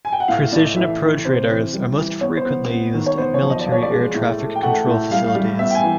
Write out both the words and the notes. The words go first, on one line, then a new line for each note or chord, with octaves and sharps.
Precision approach radars are most frequently used at military air traffic control facilities.
G#5
G5
F#5
A2 F5
A2 D5
D#5
E3 E5
E3
C3 C5
E3
G3
E3
B3 C#5
C5
B3
B3
D#3
C#5
B3 C5
C#5
F3
D#5
D5
F3
C#5
D5
G#3
A2
A3
G5
A3 F#5
A2
G3 F5
F5
G3
B3 E5
G5
G#5
E3